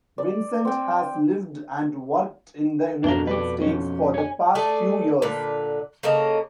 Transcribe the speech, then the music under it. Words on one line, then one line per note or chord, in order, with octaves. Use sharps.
Vincent has lived and worked in the United States for the past few years.
D5
C4 G5
F2 B2 D4 A#4 G7
B4 D5
F3 C#4
C#5 G#5
A3 G#4 D5
A#2 D3 B4
C#3 A#3 A4 D#5